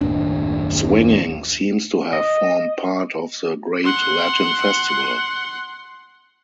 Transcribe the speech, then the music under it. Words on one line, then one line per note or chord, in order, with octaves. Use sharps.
Swinging seems to have formed part of the great Latin festival.
F#1 D#2 A2 D4
D#5
F#5 C6